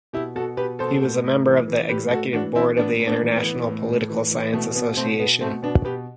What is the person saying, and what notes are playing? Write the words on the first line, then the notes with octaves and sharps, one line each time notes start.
He was a member of the Executive Board of the International Political Science Association.
B2 E4 G4
B2 F#4 A4
B2 G4 B4
B2 A4 C5
A2
A2
E3
E3
A2 G4 B4
A2 F#4 A4
E3 D4 F#4
E3 C4 E4
A2 B3 D4
A2
B3 D4
E3
B3
E3
A2
A2
E3
E3
B2 A3
B2 B3
B2 A3 C4
B2 B3
B2 A3 C4
B2 B3 D4
B2 G4 B4